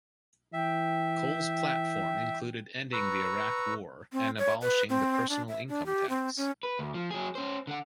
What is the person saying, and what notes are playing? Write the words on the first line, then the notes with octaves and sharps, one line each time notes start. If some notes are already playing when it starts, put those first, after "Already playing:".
Cole's platform included ending the Iraq War and abolishing the personal income tax.
E3 E5 G5
B4 A#5 C#6 E6
C4
C#5
B4
C4
D4
E5
D4
G4
C4
C#4
B4
D2
F3
F#3 G#4
C#4 C5
D3 F#5